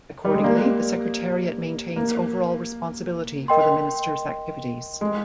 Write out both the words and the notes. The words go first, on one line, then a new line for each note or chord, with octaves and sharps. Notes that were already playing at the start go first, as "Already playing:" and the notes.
Accordingly, the secretariat maintains overall responsibility for the Minister's activities.
G3
G#3
A#3 G4 D5 F5
A#3
A#4 D#5 G5 C6
G#3